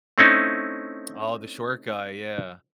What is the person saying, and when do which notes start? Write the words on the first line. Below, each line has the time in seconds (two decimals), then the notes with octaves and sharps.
Oh, the short guy, yeah.
0.18 A3 C4 C#4 D#4 E4